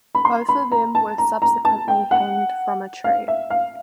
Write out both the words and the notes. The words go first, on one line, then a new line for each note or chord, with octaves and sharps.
Both of them were subsequently hanged from a tree.
B5
C6
B5
A#5
A5
A#5
A#5
A5
G5
F#5
F5
E5
F5